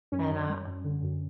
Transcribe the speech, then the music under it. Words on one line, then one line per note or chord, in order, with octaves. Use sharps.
and a
F#2 C#4
F#2
G3
F#2
D3
F#2